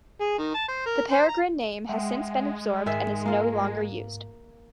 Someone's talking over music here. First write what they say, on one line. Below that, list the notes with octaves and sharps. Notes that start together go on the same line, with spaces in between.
The Peregrine name has since been absorbed and is no longer used.
G#4
D#3
A5
C5
A#4
C5
A#5
G#3 E5 F#5 G5
G#2 D#3 G#4 E5
A#3 F4